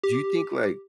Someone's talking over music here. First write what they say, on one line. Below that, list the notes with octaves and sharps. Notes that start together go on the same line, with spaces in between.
do you think like
G4